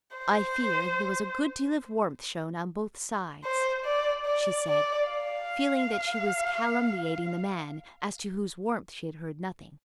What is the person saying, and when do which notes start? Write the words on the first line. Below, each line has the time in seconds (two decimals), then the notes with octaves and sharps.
"I fear there was a good deal of warmth shown on both sides," she said, feeling that she was calumniating the man, as to whose warmth she had heard nothing.
0.17 C5
3.44 C5
3.85 D5
4.26 D5
4.67 D5
5.08 F5